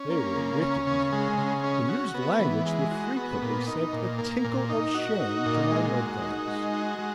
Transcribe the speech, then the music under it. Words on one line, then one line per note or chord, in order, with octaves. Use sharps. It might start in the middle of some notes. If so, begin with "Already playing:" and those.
They were wicked men, and used language that frequently sent a tinkle of shame to my mudguards.
Already playing: C#4
A#3
C#3
C#4
C#3
G#3
C#3
C#4
F#4
B3
E3
G#3
F#4
B3
A#2
D#4
A#2
A#3
A#2
D#4
F#4
D#4
A#2
G#3
F#4
D#4
G#3
F#4
G#3